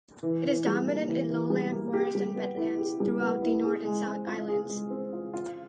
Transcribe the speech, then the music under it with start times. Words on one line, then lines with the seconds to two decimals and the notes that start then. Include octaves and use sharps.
It is dominant in lowland forest and wetlands throughout the North and South Islands.
0.23 E3
0.45 E3
0.66 G3
0.87 A#3
1.09 E3
1.30 E3
1.50 G3
1.72 A#3
1.93 G4
2.15 G3
2.36 B3
2.57 E4
2.79 G4
3.00 G3
3.20 B3
3.42 E4
3.64 G#4
3.85 G#3
4.06 C4
4.27 F4
4.48 G#4
4.69 G#3
4.90 C4
5.13 F4
5.33 F4